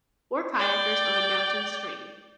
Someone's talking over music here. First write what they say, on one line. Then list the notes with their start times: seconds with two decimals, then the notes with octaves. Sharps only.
Four kayakers on a moutain stream.
0.59 D5 G5